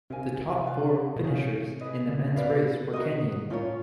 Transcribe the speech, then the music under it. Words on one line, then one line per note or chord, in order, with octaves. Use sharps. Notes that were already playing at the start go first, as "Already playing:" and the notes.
The top four finishers in the men's race were Kenyan.
C3 A#4 C#5 F5 G#5
B4 D5 F5
B2
C3 D#4 G#4 C#5 F5
G#4 B4 D#5
D3
C#3
C3
B2 B4 D5 F5
F#4 A#4 D#5
A2 C#4 F4 A#4 C#5